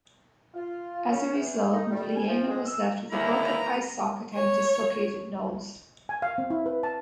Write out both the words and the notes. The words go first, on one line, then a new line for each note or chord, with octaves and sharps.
As a result, Muliaina was left with a broken eye socket and dislocated nose.
F4
C#4
E2
D#4
G3
G#5
F3
G#3
E6
D#2 D3 G#3 A#3 B3 E4 A#5
C#5
G#5
F5
C4
E4
B4
A5